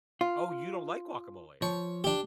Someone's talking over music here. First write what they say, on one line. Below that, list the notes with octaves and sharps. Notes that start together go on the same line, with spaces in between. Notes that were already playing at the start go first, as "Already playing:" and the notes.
Oh, you don't like guacamole.
F4
F3 C#5
D4 G4